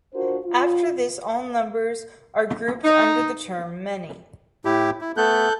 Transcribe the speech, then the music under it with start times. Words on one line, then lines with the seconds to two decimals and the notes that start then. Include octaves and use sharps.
After this all numbers are grouped under the term 'many.
0.13 D4 F4 F#4 A#4 C5
0.45 F4
2.84 D#4
4.65 A2 E4 G4
5.01 E4
5.17 A3 B3 A4 F#6 G6